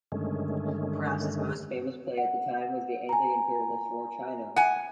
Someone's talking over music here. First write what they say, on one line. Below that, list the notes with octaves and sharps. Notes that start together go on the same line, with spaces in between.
Perhaps his most famous play at the time was the anti-imperialist Roar China!
G2 D3 D#3 G#3 A3 C#4
F#5
G#5 A#5
F#5 G#5